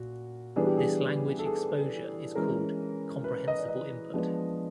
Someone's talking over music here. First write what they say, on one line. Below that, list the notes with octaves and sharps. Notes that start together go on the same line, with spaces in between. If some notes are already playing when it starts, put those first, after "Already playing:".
This language exposure is called comprehensible input.
Already playing: A#2 F#4
E3 G3 B3 D4 G#4
G4
G#4
A4
G#4
E3 G#3 C#4 A#4
B4
D#5
D5
D#5
F3 G#3 B3 D4